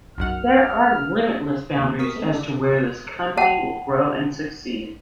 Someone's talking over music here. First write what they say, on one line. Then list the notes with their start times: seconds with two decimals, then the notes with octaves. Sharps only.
There are limitless boundaries as to where this company will grow and succeed.
0.18 B1 F#2 F#5 F6
1.78 D#2
1.99 B3 A#4 F5 C#6 D#6 B6
2.16 G#3 A3 B3 C4
2.32 A4 D5
3.37 F#5 G5 A5